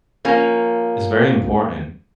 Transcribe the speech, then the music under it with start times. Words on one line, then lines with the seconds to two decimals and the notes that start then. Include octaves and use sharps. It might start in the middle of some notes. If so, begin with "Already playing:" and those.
is very important,
0.25 F3 A#3 C#4